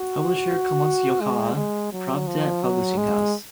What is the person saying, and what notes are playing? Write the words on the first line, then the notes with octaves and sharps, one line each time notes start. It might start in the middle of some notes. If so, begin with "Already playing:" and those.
Publisher Komsomolskaya Pravda Publishing House.
Already playing: F#4
G#3
G#3
F#3
F3
F#3
G#3